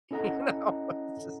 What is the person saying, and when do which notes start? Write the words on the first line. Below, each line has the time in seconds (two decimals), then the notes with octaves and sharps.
You know? It's just
0.11 C#4 E4 A4 D#5 F#5 A#5